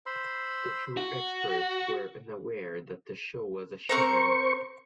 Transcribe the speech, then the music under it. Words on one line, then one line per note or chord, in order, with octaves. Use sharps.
The true experts were unaware that the show was a sham.
C5 B5 C6 E6
F#4
C4 A#4 C5 A#5 C#6